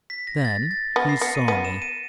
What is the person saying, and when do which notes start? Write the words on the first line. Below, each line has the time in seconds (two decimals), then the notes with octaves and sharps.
Then he saw me.
0.10 B6
0.27 A#6
0.45 A6
0.71 A6
0.96 B3 A#6
1.09 C7
1.21 B3 C#7
1.35 D#7
1.48 B3 D#7
1.65 E7
1.82 D#7